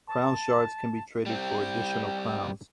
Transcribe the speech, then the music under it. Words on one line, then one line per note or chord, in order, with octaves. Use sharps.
Crown Shards can be traded for additional Crowns.
A5
G3 C4 G5